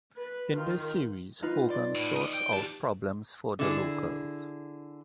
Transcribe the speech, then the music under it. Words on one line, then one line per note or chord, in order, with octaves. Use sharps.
In the series Hogan sorts out problems for the locals.
B4
D#3 F4
D#4 F4 B4
D5 C6
A2
G4 D#5
G5
E2 G4 A5
D3 E4 G#4